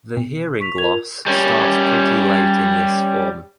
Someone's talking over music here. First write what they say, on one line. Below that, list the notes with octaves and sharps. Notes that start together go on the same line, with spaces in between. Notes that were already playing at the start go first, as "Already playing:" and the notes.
The hearing loss starts pretty late in this form.
B2
C#6 B6 F7
F4 A#4 G#6 F7
G3 C#4